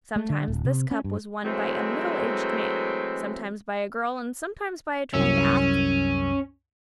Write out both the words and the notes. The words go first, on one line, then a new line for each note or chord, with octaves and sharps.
Sometimes this cup was won by a middle-aged man, sometimes by a girl, and sometimes by a trained athlete.
A3
D3
D1
C3
C#4
G2
E3 F#3 G#3 A3 C4
C2 F#2 C#4 E6